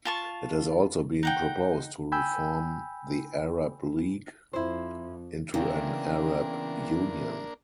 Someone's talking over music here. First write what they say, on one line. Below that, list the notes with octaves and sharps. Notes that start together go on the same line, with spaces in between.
It has also been proposed to reform the Arab League into an Arab Union.
F4 A5 C#6
D#4 F#5 G5
G5 G#5 B5 E6 G6
F2 E4 C5
E2 C#3 A#3 D4 A#4 G5